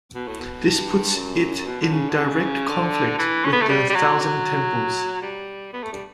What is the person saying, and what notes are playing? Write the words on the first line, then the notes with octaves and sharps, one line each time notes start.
This puts it in direct conflict with the Thousand Temples.
B2
A2
B2
G2
F#2
B2
D3
C#3
D3
C#3
D3
E3
C#4
B3
A3
G3
G3
F#3
F#3
G3
B3
A3
G3